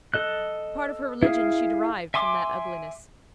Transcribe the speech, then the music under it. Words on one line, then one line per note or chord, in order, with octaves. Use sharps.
A part of her religion she derived from that ugliness.
A4 D#5 F#6
E4 G#4 F5
E5 G#5 C6 D6